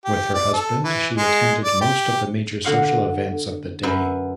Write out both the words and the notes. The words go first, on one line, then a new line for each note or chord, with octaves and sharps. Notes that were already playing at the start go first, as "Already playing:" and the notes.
With her husband, she attended most of the major social events of the day.
G4
D5
A4
E3
G#3
D5
G4
D3 F#4 F5 F#5
F#2 B4 E5